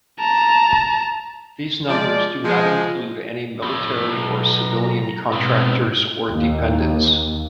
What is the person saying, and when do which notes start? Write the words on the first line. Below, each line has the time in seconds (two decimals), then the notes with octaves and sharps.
These numbers do not include any military or civilian contractors or dependents.
0.20 A5 A#5
1.90 F3 G#3 D5
2.45 F3 G#3
3.62 F2 A2
4.08 B1 A#5
5.32 G#2 B2 B3 C4
6.28 D#2